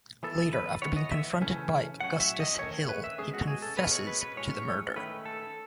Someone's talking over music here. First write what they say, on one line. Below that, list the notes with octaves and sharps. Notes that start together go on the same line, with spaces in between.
Later, after being confronted by Augustus Hill, he confesses to the murder.
E3 B3 A4
B4
E3 B3 C#5
D#5
E5
C#3 E3 A3 C#4
A2 F#3 C#4 F#5
E5
D#5
D#3 A3 C#4 C#5
B4
E5
B2 G#3 C#4 G#4
F#4
G#4
A4
B2 G#3 C#4 B4
C#5
B4
B4
A2 G#3 C#4 C#5
D#3 A3 C#4 B4
A4